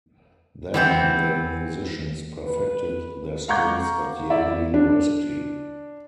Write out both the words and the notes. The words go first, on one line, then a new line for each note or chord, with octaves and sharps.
Then the musicians perfected their skills at Yale University.
E3 B3 C4
B4
F5 F#5 A#5 C#6 D6 G6
E4 D5 E5
D4